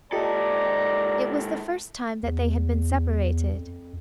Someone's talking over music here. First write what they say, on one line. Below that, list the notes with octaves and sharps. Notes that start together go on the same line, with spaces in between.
It was the first time that they had been separated.
G#2 F4 G4 A4 D5 D#5 A#5
E2
F2